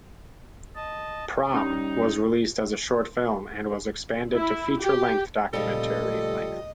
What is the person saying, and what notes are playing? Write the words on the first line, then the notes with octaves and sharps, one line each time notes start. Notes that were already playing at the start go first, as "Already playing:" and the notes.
"Prom" was released as a short film and was expanded to feature-length documentary length.
D#5 A5
G3 C#4 D#4
E4
G4
A#2 C#3 F3 G3 A3 A4 D#5